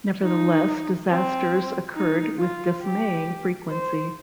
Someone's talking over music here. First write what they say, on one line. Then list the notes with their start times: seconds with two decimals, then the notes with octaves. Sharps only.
Nevertheless, disasters occurred with dismaying frequency.
0.23 D#4
1.09 C4
1.95 D#4
2.39 F4
2.83 G4
3.69 C5